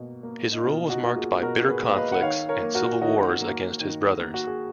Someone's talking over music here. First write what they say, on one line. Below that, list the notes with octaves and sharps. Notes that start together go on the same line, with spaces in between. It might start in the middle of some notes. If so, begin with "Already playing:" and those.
His rule was marked by bitter conflicts and civil wars against his brothers.
Already playing: B2 A#3
A#3
D#4
B2 F4
D#4 F#4
A#3
F4 G#4
B2 F#4 A#4
G#4 B4
A#3
F5
B4 D#5
F#5
D#3 C#5 F5
A#4 C#5
A#3
F#4 A#4
D#3 D#4 F#4
A#3
D#3
A#3
F#4
G#4